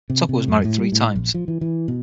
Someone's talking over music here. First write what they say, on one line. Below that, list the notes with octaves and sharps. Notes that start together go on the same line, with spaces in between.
Tucker was married three times.
C3
C3
F#2
A2
G3
A2
A#1
F3
E3
E3
B2